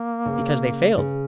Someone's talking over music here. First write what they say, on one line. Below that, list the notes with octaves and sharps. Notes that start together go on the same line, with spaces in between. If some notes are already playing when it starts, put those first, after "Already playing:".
"Because they failed."
Already playing: A#3
C#3
C#3